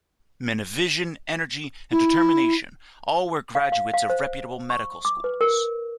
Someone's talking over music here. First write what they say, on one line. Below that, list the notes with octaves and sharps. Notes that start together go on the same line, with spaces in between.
Men of vision, energy, and determination, all were graduates of reputable medical schools.
E4
F5
F5
F5
C5
C#6
D6
B4
A#4